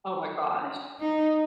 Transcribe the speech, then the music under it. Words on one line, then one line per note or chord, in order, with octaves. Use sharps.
Oh my gosh.
D#4